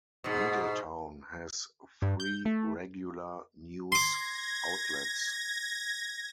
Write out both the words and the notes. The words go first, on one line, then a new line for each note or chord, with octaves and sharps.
Middletown has three regular news outlets.
G#2 B2
G2
G6
A3
C6 D6 G#6 A#6